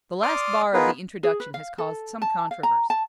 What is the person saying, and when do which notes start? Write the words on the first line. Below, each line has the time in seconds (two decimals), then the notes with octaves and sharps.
The last bar of the introduction has caused some controversy.
0.22 D5 C6 D6 D#6 F6
0.74 B3 D#4 F4 G#4 A#4 B4
1.23 G#4
1.40 B4
1.54 F5
1.78 A4
2.22 A5
2.51 F5
2.63 A#5
2.90 A5